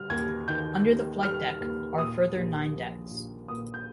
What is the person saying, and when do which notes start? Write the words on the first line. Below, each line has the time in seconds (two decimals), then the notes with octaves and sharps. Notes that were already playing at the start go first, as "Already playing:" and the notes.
Under the flight deck are a further nine decks.
Already playing: G3 F6
0.10 D#2 G#6
0.48 D#3 G6
0.85 D#2
1.23 G3 F6
1.61 D#2
1.98 A#2 D#6
2.35 A#1
2.73 F3
3.10 A#1
3.48 A#2 D#6
3.74 G6